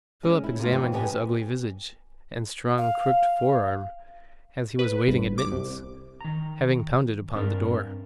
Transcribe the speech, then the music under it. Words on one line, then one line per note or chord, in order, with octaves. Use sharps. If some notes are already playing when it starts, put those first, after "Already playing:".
Philip examined his ugly visage and strong crooked fore-arm, as he was waiting admittance, having pounded upon the door.
G#3 C#4
E4
C3 G#3 A3 D#4 F4
E3 F3 C4 D4 D#4
G2 G3 B3 G4 D#5 G#5
F5
B4
G1
D6
C2
D#3 A#5
G2 C4 D4 A#4